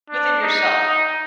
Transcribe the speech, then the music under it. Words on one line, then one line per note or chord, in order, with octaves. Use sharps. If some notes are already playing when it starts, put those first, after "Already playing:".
Within yourself.
D4
D#4